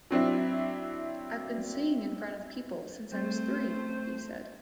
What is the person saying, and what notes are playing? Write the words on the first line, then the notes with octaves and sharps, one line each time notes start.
"I've been singing in front of people since I was three," he said.
F#3 C4 D4 E4
G3 A3 C4 C5 A6